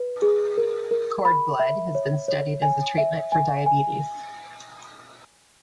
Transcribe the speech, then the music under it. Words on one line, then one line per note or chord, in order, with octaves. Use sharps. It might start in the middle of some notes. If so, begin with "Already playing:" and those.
Cord blood has been studied as a treatment for diabetes.
Already playing: B4
G#4
A#4
A#4
B5
E5
C#5
C#5
G#5
E5
G#5
G#5